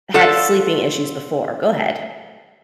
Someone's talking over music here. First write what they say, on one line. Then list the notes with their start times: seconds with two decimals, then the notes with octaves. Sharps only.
had sleeping issues before. Go ahead.
0.14 F4 A4 C#5 D5 F#5